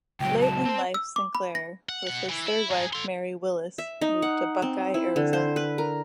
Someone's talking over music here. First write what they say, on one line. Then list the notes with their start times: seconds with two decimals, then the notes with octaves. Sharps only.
Late in life Sinclair, with his third wife Mary Willis, moved to Buckeye, Arizona.
0.20 C#2 F#3 G5
0.41 A5
0.65 C4 C5
0.94 E6
1.16 D6
1.35 B5
1.55 A#6
1.89 F#5
2.07 B2 F#5
2.29 E3
2.47 E4
2.71 G#4 A#4
2.93 A4 C6
3.78 E5
4.01 D#4
4.22 F#5
4.62 C4
4.94 E4
5.16 D3
5.33 C5
5.56 B4
5.78 A#4